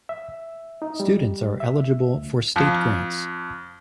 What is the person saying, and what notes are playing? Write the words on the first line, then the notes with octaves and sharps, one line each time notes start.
Students are eligible for state grants.
E5
D#4
G3
E5
D2
F2